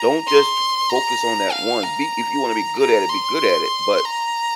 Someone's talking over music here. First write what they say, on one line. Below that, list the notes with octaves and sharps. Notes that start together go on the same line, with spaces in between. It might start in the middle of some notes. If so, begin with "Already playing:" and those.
Don't just focus on that one. Be if you wanna be good at it, be good at it, but
Already playing: A#5
C6
A#5
F5
A#5
A#5
C6
A#5